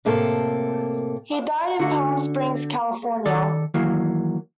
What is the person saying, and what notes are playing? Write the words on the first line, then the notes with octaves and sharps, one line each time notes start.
He died in Palm Springs, California.
A2 C3 A#3 A4
D3 F#4
D#3 A4 D5
D#3 E3 F#3 A#3